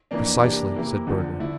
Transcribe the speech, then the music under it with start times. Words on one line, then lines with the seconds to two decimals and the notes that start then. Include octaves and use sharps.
"Precisely," said Burger.
0.11 F2 E3 A#3 D4
0.43 C3 E3 A#3 D4
0.75 C3 E3 A#3 E4
1.07 E2 D3 F3
1.39 D3 A3 E4